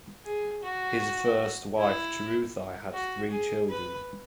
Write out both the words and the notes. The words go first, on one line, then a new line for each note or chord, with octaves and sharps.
His first wife Chiruthei had three children.
G#4
F#4
E4
F#4
G#4
B4